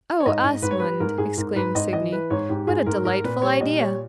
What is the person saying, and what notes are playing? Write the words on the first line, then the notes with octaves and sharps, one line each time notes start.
'Oh, Asmund!' exclaimed Signy, 'what a delightful idea!
C#5
G#2 D#5
G#2
G#2 B4
C#5
G3 B4
G#2 A#4
G#2 G#4
G#2 A#4
G#2 B4
G#2 D#5
E3 D#5
E3 B4
G#2 C#5
G#2 G4
G#2 G#4
G#2 A#4
G#2 A#4
A#2 B4
G3 C#5
A#2 D#5
G3 C#5